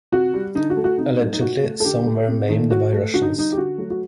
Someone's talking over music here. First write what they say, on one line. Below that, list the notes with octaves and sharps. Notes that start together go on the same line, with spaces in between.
Allegedly some were maimed by Russians.
C3 F#4
G3
D3 D#4
F#4
A3
F#4
C3 D#4
F#3 A3
D#4
A#2 F#4
A3
A4
D3 G4
A3
C3
D#3 A3
A2 F#4
A3
D3 F#4
D#4
G3 D#4
G4
D3 F#4
F#3 A3
F#4